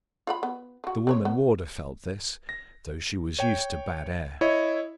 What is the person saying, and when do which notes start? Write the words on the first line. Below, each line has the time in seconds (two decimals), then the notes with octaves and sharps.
The woman warder felt this, though she was used to bad air.
0.27 F4 F#5 B5
0.43 B3
0.84 F3 F#4
1.07 C4 B4 C#5
1.25 B3
2.49 A#6
3.39 C#5 G5
4.41 E4 C#5 D#5